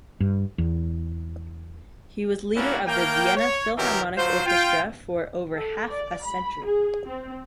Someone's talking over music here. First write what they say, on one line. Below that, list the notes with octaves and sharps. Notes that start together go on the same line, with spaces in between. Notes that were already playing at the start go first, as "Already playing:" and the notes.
He was leader of the Vienna Philharmonic Orchestra for over half a century.
G2
E2
G3 A#3 C#4 D4 E4 F#4
A2 A#3 A#4 G5
C#5
B2 D#3 E3 F#3 G4 A#4
D3 F#3 F4 C5
F4 G5
A4
D5
B5
G#4
C4